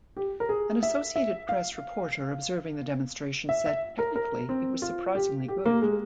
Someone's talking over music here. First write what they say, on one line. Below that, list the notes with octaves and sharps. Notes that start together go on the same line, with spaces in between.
An Associated Press reporter observing the demonstration said, Technically, it was surprisingly good.
G4
A#4
G#4
E5
E5
F5
E5
E5
A#4
A#4
C4
F4
G4
G4
A#3
G#3